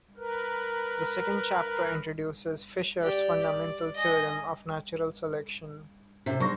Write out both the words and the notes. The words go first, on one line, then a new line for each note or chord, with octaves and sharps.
The second chapter introduces Fisher's fundamental theorem of natural selection.
A#4 B4
G4 D5
D5
D#5 G#5
A2 C3
G2 C5 C#6 A#6